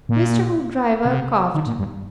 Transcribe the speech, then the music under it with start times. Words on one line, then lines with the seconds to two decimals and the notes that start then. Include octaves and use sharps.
Mr. Hoopdriver coughed.
0.09 A#2
1.05 C3
1.55 D#3
1.67 A#2
1.79 G2